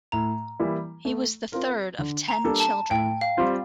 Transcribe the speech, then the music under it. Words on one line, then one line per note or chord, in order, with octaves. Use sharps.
He was the third of ten children.
A2 A#5
E3 G3 A#3 E4
A3
C4 F4 A#4
D3
A#5
G3 A#3 D4 A4
A5
A2 G5
F5
G3 C4 F4